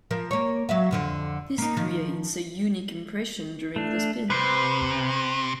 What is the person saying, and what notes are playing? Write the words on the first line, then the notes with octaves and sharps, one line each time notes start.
This creates a unique impression during the spin.
F3 A#4
A#3 C#5
F#3 E5 F5
F2 D3 F3
A#3 D#4
D#3 F3
A3 D4
C3 B4 C5